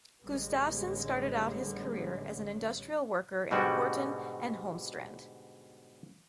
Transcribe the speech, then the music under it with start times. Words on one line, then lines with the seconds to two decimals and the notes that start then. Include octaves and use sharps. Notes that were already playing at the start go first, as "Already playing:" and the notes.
Gustavsen started out his career as an industrial worker in Horten and Holmestrand.
0.22 A1 D3 G3 G#3 B3 C#4
3.51 G#2 B2 D3 G3 F#4 G5